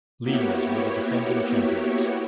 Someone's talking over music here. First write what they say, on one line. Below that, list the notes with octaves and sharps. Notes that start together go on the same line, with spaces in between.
Lees were the defending champions.
A#3 B3 E4 F#4 G4 C#5